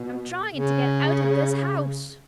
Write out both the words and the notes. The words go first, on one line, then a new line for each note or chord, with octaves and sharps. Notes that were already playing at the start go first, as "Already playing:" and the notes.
"I'm trying to get out of this house!"
Already playing: B2
C#3